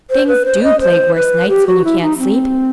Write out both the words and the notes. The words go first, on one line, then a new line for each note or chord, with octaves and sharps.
Things DO plague worse nights, when you can't sleep.
C5
B4
C5
D#5
C5
B4
G4
F#4
E4
D#4
C4